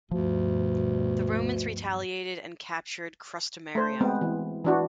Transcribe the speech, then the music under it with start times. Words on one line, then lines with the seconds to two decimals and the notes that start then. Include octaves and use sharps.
The Romans retaliated and captured Crustumerium.
0.11 D2 G2 B2 F3
3.75 A3 C5
4.01 G#3 B3 C4
4.21 E3
4.65 E3 D4 F#4